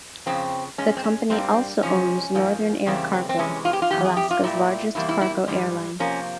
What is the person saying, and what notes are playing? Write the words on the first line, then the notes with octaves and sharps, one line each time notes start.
The company also owns Northern Air Cargo, Alaska's largest cargo airline.
F2 C#3 F3 C4
A#2 G#3 C#4
C4
C#4
G2 G3 A#3 C4
C3 F3 G#3 C#4
G#2 F3 A#3
E2 C#3 G3 A#3 C4
C4
C4
C3 E3 G#3 C#4
F4
G4
F4
F2 E3 G4
G#4
G4
F4
A#2 G3 A#3 E4
E2 C3 G3 A#3 E4
E4
E4
G#2 E3 G3
C3 F3 A#3 C#4